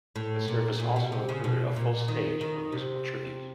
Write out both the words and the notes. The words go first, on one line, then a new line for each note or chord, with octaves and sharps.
The service also included a full stage for musical tributes.
A2
A#2
A#2
B2
C3
C#3
B2
A#2
D#3
D#3
C3